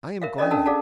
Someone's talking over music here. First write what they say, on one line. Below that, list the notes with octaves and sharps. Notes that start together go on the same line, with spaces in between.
"I am glad."
A#4 E5 F5
C#4 D4 A4 D5 D#5
C#4 D4 A4 F#5 A5 E6
G#4 D5 F5 F#5 A5